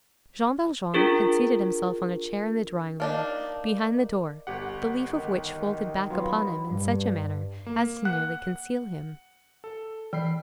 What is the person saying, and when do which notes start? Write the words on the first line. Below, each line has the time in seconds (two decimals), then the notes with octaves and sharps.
Jean Valjean had seated himself on a chair in the drawing-room, behind the door, the leaf of which folded back upon him in such a manner as to nearly conceal him.
0.94 D4 F4 G#4 A#4
3.00 A#3 D4 D#4
4.47 G1 G4 F#5
5.10 D#3
6.10 F#3 B3 F4 B4
6.66 G2
7.66 A#3
8.05 F#5 F#6
9.64 A4
10.13 E3 G5 B5 C7